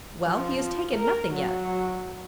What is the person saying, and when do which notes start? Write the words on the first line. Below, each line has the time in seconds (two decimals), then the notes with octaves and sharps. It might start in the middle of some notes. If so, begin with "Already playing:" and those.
"Well, he has taken nothing yet."
0.24 F3
0.97 A#4
1.33 F#3